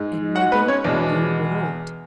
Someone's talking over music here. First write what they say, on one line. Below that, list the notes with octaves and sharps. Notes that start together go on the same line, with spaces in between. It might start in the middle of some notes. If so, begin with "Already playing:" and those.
"And maybe you won't."
Already playing: G#2 G#3
F#4 F#5
B3 B4
C#4 C#5
E2 B2 G#3 D4 D5